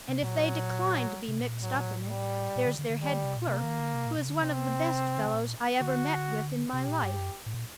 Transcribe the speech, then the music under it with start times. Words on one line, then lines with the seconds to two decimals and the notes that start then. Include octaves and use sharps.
And if they decline to be mixed up in it, there's their head clerk, who is one of the best fellows I ever met with in my life.
0.08 C3
0.23 A#2 F#3
1.28 C3
1.40 A#2
1.63 A2 F#3
1.74 A#2
1.87 A2
2.09 G3
2.56 A#2
2.67 D3
2.79 D3
2.90 D3
3.02 D#3 G3
3.13 D3
3.24 C3
3.36 A#2
3.48 C3 A#3
3.63 D#3
3.79 D3
3.94 C3
4.06 A#2
4.18 C3
4.29 D3
4.41 C3 C4
5.18 D3
5.26 C3
5.34 A#2
5.80 D3 F#4
6.73 C3 G4
6.88 A#2
7.03 G2
7.19 F#2
7.46 A2
7.54 A#2